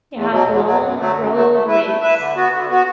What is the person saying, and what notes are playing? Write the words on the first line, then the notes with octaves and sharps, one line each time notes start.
They have long, broad wings.
E2
B2 F#3
E2
B2 F#3
F#2
D3 F#3 A3
F#2
D3 F#3 A3
A3
E4 B4 E5
A3
E4 B4 E5
D3
B3 F#4
D3
B3 F#4